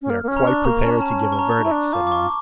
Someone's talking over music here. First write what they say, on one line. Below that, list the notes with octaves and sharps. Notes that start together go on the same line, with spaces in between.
"And we are quite prepared to give a verdict," said one.
C#4
A#3 F6
A#3
C#4
A#5
D4 C#6
A#3 A#5
A#5
C#4 A5
D4
C#4 A5
A5
C#6
A#5
C#6
D4 A#5
E4
D4 C#6
F4 D6
D6
C#6